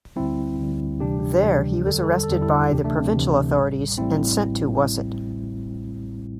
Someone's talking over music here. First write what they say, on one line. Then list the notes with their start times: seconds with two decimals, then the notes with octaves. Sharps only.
There he was arrested by the provincial authorities and sent to Wasit.
0.16 D2 D3 G3 C4 E4
0.59 D2 D3 G3
1.00 D2 C3 E3 G3 D4 G4
1.44 D2 C3 E3 G3
1.86 E2 D3 G3 A4
2.04 A4
2.23 A4
2.28 E2 D3 G3
2.42 E4 A4
2.70 D2 C3 E3 D4 G4
2.84 A3 D4
2.99 C4
3.13 D2 C3 E3
3.55 A1 A2 G3
3.98 A1 A2 G3 C4 E4